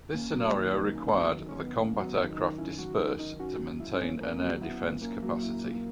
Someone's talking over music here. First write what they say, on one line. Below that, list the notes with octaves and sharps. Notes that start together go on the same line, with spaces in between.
This scenario required that combat aircraft disperse to maintain an air defence capacity.
A#3 C#4
F#3
D#3
D#3
C#4
F#3
D#3
C#4
D#3
B3
A#3 C#4
F#3
B3
D#3
D#4
D#3
C#4 E4
F#3 F#4
D#3 D#4
D#3 D#4
C#4 F#4
F#3
E4
C#4
A#2
A#3 C#4
F#3
B3 E4
A#2
A#3 C#4
F#3
E4
A#2